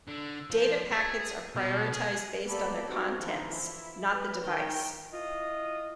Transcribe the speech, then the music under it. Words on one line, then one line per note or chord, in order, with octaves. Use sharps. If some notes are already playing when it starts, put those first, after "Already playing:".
Data packets are prioritized based on their contents, not the device.
D3
F3
G#4
B2
G#4
A#3 B3 G4 A4 D5 B5
C4 D#4 F#4
D3 E3 F3 D#4 F4
E4
B4
D#3 G5
E4 F4 D#5